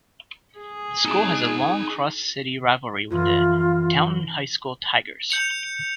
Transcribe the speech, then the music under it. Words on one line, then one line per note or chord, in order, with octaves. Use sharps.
The school has a long, cross-city rivalry with the Taunton High School "Tigers".
G#4
D#4 A5
F#2 A2 E3 F4
G6 C#7 F7